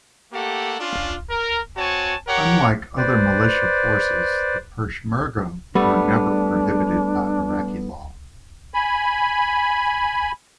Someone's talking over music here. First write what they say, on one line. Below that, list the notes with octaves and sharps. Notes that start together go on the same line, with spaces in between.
Unlike other militia forces, the "peshmerga" were never prohibited by Iraqi law.
A3 A#3 G4 A4 F#5
C#4 D4 F4
A#4
C4 F#4 C#5 G#5 A5
G4 A#4 C#5 F#5
B4 C5 D5
G3 A3 B3 D4
G#5 B5